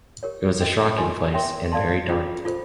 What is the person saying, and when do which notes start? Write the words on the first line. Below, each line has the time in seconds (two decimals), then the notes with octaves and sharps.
It was a shocking place, and very dark.
0.23 G4 A#4 C#5
0.60 C#4 F#4 B4 D#5 G5
0.98 F4 A#4 D#5 G#5 C6
1.34 A#4 C#5 E5 G5 C6
1.72 A4 D5 F5 A5 C6
2.09 C#4 F4 G#4
2.45 F4 A4 C5